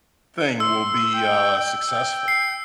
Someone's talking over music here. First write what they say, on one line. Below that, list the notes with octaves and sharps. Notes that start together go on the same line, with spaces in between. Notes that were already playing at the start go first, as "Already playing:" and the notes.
thing will be, uh, successful?
C6 E6
G5
G5
C7